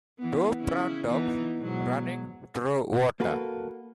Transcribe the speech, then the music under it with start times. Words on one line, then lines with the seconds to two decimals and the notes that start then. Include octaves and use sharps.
Two brown dogs running through water.
0.19 E3 B3
0.60 C#3 C#4 E4
1.09 E3 B3 D#4
1.57 G#2 B2 F#3
3.20 A#3 F#4 A4 B4